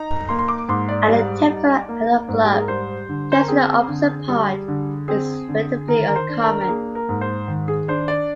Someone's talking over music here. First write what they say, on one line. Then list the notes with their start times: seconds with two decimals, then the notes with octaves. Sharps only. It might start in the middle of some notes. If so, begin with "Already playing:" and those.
At the typical adult club, dancing the "opposite part" is relatively uncommon.
Already playing: D#4 A#5
0.29 A#3 C6
0.39 C6
0.48 D6
0.69 G#2 C6
0.89 D5
1.09 G3
1.49 D#4
1.88 A#3
2.28 G#2
2.45 G4
2.53 G#4
2.60 A#4
2.68 G3 C5
3.09 D3
3.32 C5
3.41 A#4
3.48 C4 G#4
3.88 D3
4.28 G3
4.68 D3
5.08 C4 G#4
5.48 D3
5.88 D#3 A#4
6.08 A#4
6.16 C5
6.28 D4
6.42 A#4
6.61 A#4
6.68 A#3 G#4
6.95 A#4
7.09 G#2
7.21 C5
7.48 D#3
7.68 G#4
7.88 D4 C5
8.08 D5